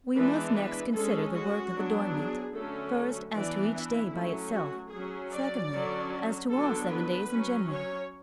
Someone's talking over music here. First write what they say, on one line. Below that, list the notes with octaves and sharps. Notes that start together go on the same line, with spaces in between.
We must next consider the work of adornment, first as to each day by itself, secondly as to all seven days in general.
E3 G#3 B3 D4 B4
B4
G#3 C#4 A4
F#4
F#3 B3 D4
G#4
D3 F#3 A3 C#4 A4
A4
E3 B3 D4 D5
E4
F#3 A3 C#4
F#4
F#3 C#4 G#4
D5
D3 F#3 C#4
D3 F#3 B3 D4 A4
B4
F#3 C#4
C#5